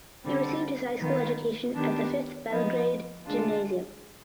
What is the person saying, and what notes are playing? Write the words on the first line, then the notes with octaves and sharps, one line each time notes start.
He received his high school education at the Fifth Belgrade Gymnasium.
D3 G3 C4
D#3 B3 F4
D#3 B3 D4 G4
F3 B3 D#4
D3 G#3 D4 F4